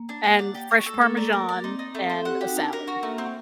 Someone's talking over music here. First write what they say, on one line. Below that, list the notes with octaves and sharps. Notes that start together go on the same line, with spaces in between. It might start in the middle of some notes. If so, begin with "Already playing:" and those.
and fresh parmesan and a salad.
Already playing: A#3
D4
F#5
D5
G4
F#4
A4
A3
A4
A#3 D5
A#4
D5
C4 D#4
D#4
A3
C5
A4
G4 F#5
F#4 G4
D#4
D4 A#4
A#4
F#4
A3 A#3
C4
A#3